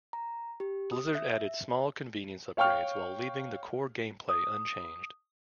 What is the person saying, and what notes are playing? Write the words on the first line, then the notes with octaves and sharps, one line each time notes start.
Blizzard added small convenience upgrades while leaving the core gameplay unchanged.
A#5
G4
D#6
E5
C#5 F5 G5 C#6 F6
D#6